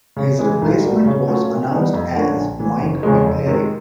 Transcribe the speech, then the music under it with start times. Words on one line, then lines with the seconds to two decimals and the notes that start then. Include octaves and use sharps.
His replacement was announced as Mike McCleary.
0.16 C#3
0.39 E3 G#3
0.62 B1
0.82 B2 G3 A#3
1.05 C#3
1.27 F#3 A3 C#4 F4
1.49 A#2
1.71 G3 B3 D#4
1.94 F2
2.15 D3 F3 A#3 C#4
2.36 A#1
2.59 A2 E3
2.81 F#1
3.03 E2 C#3 F3 G#3
3.24 F2
3.46 C3 D#3 G#3